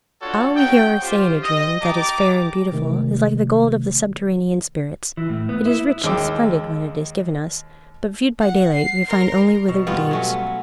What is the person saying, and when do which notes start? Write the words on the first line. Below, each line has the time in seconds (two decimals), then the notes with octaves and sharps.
All we hear or say in a dream that is fair and beautiful is like the gold of the subterranean spirits; it is rich and splendid when it is given us, but viewed by daylight we find only withered leaves.
0.22 A3 D4 F4 F#4 A4 C#5
0.55 A3 C#4 D#4 F#4 G5
1.02 F4 G4 C5
1.43 D#5
1.82 D#4 G4 A5 A#5 D6
2.72 C3 D#3 A3
5.17 E3
5.29 A2
5.49 B3
5.66 E4
6.04 D#2 G#3 D#5 G5 D6 E6
8.40 F#5
8.74 C7
9.08 A#4 C6
9.68 B2
9.87 G2 B3 F4
10.11 F#3 A3 C#4